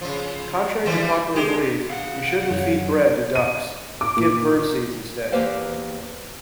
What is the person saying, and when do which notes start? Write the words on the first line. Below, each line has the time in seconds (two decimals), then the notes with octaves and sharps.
Contrary to popular belief, you shouldn't feed bread to ducks. Give birdseeds instead.
0.01 C#3 F3
0.86 E3 F3 G3
1.36 G#3 G4
1.90 G#4 F5 F#5
2.51 F#2 C#5
3.35 D#7
4.01 D6
4.16 A#2
5.32 E2 A#3 G4 B4 C5 F5